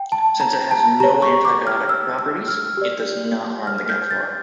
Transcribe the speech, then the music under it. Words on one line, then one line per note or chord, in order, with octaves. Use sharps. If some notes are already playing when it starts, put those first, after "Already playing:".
Since it has no antibiotic properties, it does not harm the gut flora.
Already playing: G5
A5
A#5
A5
G4 C#5 A#5
C#6
D6
F6
E6
E6
F6
G4 D5
F6
F6
G6
A6